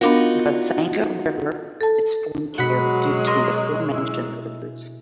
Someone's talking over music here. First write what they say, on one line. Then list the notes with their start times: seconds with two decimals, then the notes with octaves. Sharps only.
The Sangha River is formed here due to the aforementioned rivers.
0.01 B3 D4 D#4 F4 F#4 A#4
1.81 A4 A5
2.58 B2 F#3 G#3 F#4 F#5 B5
3.27 A#4 D#5 C6
3.93 E4 G#4 E6